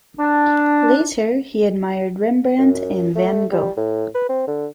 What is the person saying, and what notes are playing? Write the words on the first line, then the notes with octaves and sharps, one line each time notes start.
Later he admired Rembrandt and Van Gogh.
D4
F#2
A3
G3
A2
B4
C4
D3